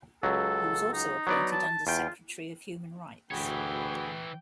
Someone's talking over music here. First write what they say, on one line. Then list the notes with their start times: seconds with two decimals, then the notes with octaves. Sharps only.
He was also appointed Undersecretary of Human Rights.
0.23 C#2 F#3 A4
0.93 D#4
1.27 F#3 B3 D5
1.53 A5
1.87 E2 F4 G5
3.31 D2 E3 F#4 G#4 C#5 G5 B5